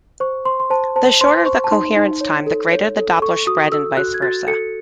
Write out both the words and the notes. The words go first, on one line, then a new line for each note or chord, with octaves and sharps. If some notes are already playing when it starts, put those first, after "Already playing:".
The shorter the coherence time, the greater the Doppler spread and vice versa.
C5 C#6
C5 C6
C6
C5 A5
C5 A5
C5 C6
C5 C#6
A5
D#4 C6
D#4
C#5
A4
C#5
A4
A4 C#6
F#4 D#6
A4 E6
F#4 F#6
G#6
F#4 A6
A4 C#7